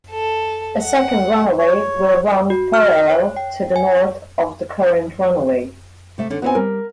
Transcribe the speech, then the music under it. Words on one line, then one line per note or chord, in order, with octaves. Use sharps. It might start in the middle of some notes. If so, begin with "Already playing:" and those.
A second runway will run parallel to the north of the current runway.
A4
F#5
C#5
F#4
F6
C#5
G5
G#5
C3 A3 E5
D3 C#4
B3 C4 D#4 F#4 G#5
G3 A#4